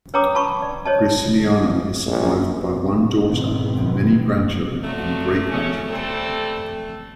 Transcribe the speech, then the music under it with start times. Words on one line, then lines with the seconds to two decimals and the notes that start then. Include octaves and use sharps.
Graciliano is survived by one daughter and many grandchildren and great-grandchildren.
0.14 B4 C#5 G5 A#5 D6 D#6
0.35 A5 B5 C#6
0.62 D5
0.86 C5 C#5 D#5 A5
2.07 A#1
3.23 G#2 B2 D#3 E3 B3 C4
4.84 D3 F3 F#3 A3
5.50 C#4
5.89 G3 C4 A4